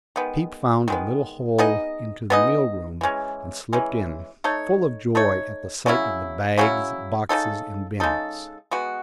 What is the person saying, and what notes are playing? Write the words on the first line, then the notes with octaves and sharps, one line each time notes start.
Peep found a little hole into the meal-room, and slipped in, full of joy at the sight of the bags, boxes, and bins.
D#3 G#3 B3
D#3 G#3 B3
B3 D#4 G#4 D#5
B3 D#4 G#4 D#5
E3 G#3 C#4
E3 G#3 C#4
A3 D#4 A4 C#5
A3 D#4 A4 C#5
C#3 F#3 C#4 E4
C#3 F#3 C#4 E4
C#3 G#3 D#4 A4
C#3 G#3 D#4 A4
G#3 B3 F#4